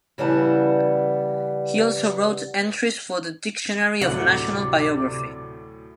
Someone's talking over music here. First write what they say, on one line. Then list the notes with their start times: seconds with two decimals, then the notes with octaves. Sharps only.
He also wrote entries for the "Dictionary of National Biography".
0.18 C#3 E3 G3 B3 F#5 A5
4.01 D2 A2 C3 F#3 D5 F#5